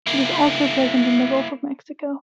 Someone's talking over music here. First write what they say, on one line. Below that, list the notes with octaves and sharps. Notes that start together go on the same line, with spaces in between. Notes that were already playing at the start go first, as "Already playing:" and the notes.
It is also present in the Gulf of Mexico.
A#3 E4